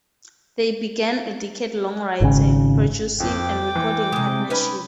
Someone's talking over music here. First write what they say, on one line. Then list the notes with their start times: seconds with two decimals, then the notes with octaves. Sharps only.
They began a decade-long writing, producing, and recording partnership.
2.21 G#1 C#3
3.20 F2 G5 D6
3.75 E3
4.12 C3 G#3 D#6
4.50 C#4 D#4 B4